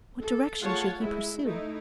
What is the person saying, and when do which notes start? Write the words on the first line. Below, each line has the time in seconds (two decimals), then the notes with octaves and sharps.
What direction should he pursue?
0.20 A4
0.61 A3 F4 G#4 C#5 F#5 A5
0.99 G#3 E4
1.43 A3 D#4 E4